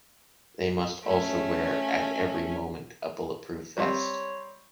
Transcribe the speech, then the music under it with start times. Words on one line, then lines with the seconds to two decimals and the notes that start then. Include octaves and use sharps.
They must also wear at every moment a bulletproof vest.
1.04 A3 C#4
3.78 G3 C4 C#5